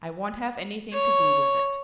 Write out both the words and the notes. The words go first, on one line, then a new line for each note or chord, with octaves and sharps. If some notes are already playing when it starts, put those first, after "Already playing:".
"I won't have anything to do with it."
C#5